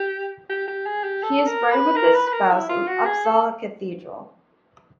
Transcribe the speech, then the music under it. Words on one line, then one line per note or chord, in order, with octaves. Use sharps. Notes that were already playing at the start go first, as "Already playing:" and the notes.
He is buried with his spouse in Uppsala Cathedral.
Already playing: G4
G4
G4
G#4
G4
A4
A#4
B4
A#4
B4
B4
A#4
E4
F4
F#4
G#4
A4